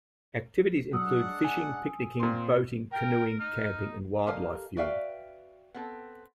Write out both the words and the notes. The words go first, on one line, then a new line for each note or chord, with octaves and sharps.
Activities include fishing, picnicking, boating, canoeing, camping and wildlife viewing.
F#3 G#3 D4 F#5 D#6 E6
G#5
A#2 C4 C6
A#4 G5
D#4 F6
G4 A4 A#4 D#5 F5 G#5
F#4 B4 D5 E5 F5 G5
B3 C4 A4